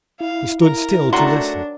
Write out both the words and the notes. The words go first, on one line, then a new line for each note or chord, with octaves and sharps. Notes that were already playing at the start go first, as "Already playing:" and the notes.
He stood still to listen.
E4 F5
A#4
D#3 F#3 A3 D4 F#4 C6